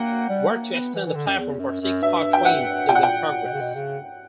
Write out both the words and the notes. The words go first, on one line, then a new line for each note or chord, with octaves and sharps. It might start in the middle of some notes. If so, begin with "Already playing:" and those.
Work to extend the platform for six-car trains is in progress.
Already playing: A#3 F#5 G5
G3
A#3
B3
E3
E3
D3
F#2
E2
F#2
F#2
G2 E5
G5
F#5
A#2 G5
F#5
G5
A#2
B2
C#3
B2
C#3